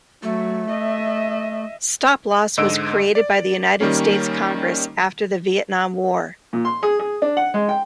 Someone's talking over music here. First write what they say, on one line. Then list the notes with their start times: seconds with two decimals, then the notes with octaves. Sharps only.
Stop-loss was created by the United States Congress after the Vietnam War.
0.23 F#3 A3
0.69 D#5 E5
2.58 G#2 D3 D#5 E6 D7
3.15 D5
3.81 D#3 G3 A#3 C#4
6.53 A#2
6.65 C6
6.83 G#4
6.99 G#4
7.22 D4
7.37 F#5
7.54 G#3
7.69 G5